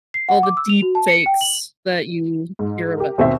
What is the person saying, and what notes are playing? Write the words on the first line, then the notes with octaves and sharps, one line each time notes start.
All the deep fakes that you hear about.
C7
F#5
D6
E6
F7
F#4
A5
C#7
G5
F#7
G#2
G4 A#4
D#2 B2 C4 C5 E5